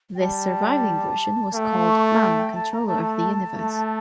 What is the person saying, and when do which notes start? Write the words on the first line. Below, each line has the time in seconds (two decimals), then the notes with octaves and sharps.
This surviving version was called "Man, Controller of the Universe".
0.15 G5
0.20 G3 A5
1.54 A3 G5
1.71 F5
1.88 C#6
2.04 A5
2.21 G5
2.38 G5
2.54 A5
2.72 A#5
2.88 A3 A5
3.55 A3